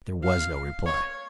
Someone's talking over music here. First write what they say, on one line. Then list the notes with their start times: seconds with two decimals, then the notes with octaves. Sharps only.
There was no reply.
0.24 F5
0.86 C#5